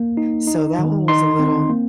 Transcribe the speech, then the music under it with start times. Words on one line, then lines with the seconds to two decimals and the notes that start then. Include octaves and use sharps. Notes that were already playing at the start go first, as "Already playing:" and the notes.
so that one was a little
Already playing: A#3
0.17 D#4
0.47 D#4
0.79 D#3
1.08 D#4 C6
1.39 C4
1.70 A#3